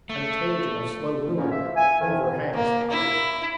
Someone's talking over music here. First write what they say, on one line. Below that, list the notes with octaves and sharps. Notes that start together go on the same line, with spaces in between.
Contagion of slow ruin overhangs the place.
A3
G#2 B2 A#3 C#4
F4 C5 E5
E5 G#5
F2 D#3
A#3
E4